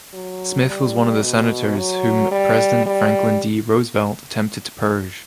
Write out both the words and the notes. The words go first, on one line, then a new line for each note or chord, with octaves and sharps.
Smith was one of the senators whom President Franklin D. Roosevelt attempted to purge.
F#3
G3
B2
F#3
G3
G3